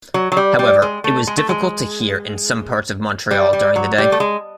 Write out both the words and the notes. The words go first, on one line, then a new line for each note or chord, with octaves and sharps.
However, it was difficult to hear in some parts of Montreal during the day.
F#3
F#3
G3
G3
G#3
A3
G#3
A3
G#3
G3
G3
F#3
G3
A3
G#3